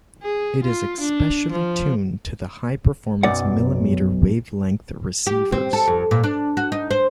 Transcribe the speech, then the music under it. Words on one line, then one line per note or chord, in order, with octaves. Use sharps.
It is especially tuned to the high-performance millimeter-wavelength receivers.
G#4
F4
D4
F3
B1 F#2 D5 F#5
G4
C4
A4
F2
A#2
D4
F#4
D#4
C5